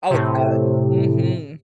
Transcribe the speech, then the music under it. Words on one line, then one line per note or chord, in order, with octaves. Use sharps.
Oh, it's good. Mhm.
A2 C3